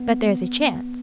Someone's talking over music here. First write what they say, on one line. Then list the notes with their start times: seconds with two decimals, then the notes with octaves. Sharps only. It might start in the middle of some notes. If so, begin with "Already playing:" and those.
"But there's a chance?"
Already playing: B3